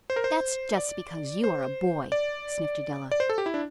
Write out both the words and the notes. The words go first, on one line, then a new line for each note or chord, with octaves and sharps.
"That's just because you are a boy," sniffed Adela.
C5
A#4
C5
D5
C5
D5
D5
C5
A4
G4
E4
D4